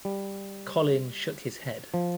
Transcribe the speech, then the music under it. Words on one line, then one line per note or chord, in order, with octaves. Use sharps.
Colin shook his head.
G3
F3